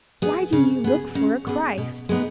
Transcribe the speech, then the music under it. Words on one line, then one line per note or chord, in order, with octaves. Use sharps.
Why do ye look for a Christ?
B3 G#4
C#3
B3 G#4
C#3
B3 G#4
B2
G#3 B3 D#4